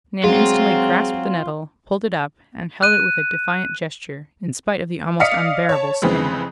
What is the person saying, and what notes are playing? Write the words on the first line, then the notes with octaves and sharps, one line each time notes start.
Nan instantly "grasped the nettle," pulled it up, and held it with a defiant gesture, in spite of the almost unbearable sting.
F#3 G#3 C4 F4
F#6 D#7
D5 D#5 F5 D#6 B6 C#7
C#5 A5
F2 C#3 E3 G#3 B3 C4